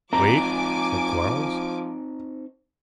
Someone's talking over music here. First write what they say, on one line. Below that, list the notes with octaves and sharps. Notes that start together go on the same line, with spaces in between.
"Wait," said Quarles.
F3 C4 D#4 G#5 A#5 D6